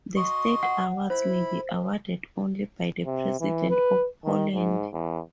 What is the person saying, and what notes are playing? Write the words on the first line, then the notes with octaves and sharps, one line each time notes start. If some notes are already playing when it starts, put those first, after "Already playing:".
The state awards may be awarded only by the President of Poland.
F#4 D#5 C6
F#5
E4 C5 B5
C3
E3
B4
D#3
G#2
E2